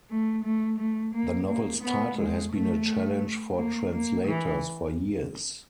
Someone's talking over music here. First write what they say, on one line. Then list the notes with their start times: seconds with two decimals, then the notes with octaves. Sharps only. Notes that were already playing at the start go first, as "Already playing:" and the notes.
The novel's title has been a challenge for translators for years.
0.10 A3
0.44 A3
0.79 A3
1.14 A#3
1.49 A#3
1.84 B3
2.19 G#3
2.53 A3
3.57 A#3
3.92 A#3
4.27 E3